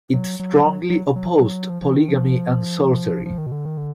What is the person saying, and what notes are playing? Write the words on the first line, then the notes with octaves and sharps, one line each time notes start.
It strongly opposed polygamy and sorcery.
F#3
F#3
F#3
F#3
F#3
F#3
F3
F3
D#3
F3
F3
D#3
B2
D3
D#3
D3